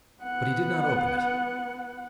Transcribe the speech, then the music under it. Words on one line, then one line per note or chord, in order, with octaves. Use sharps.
But he did not open it.
B3 F#5